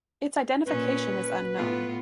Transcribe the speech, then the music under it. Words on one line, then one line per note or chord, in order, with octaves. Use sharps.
Its identification is unknown.
A#2 C#4 B4
A2 B3 F4